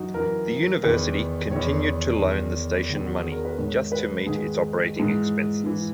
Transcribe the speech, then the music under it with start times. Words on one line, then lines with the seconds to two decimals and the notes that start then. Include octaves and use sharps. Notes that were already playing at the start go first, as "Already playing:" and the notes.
The University continued to loan the station money just to meet its operating expenses.
Already playing: F#2 E3 D#4 F#4
0.14 F#2 E3 A#4
0.83 E2 D#3 B4
1.51 E2 D#3 C#5
2.21 E2 D#3
2.89 E2 D#3
3.05 F#4
3.20 G#4
3.32 A#4
3.45 B4
3.58 G#2 D#3 C#5
3.92 B4
4.26 G#2 D#3 G#4
4.96 G#2 E3
5.64 G#2 E3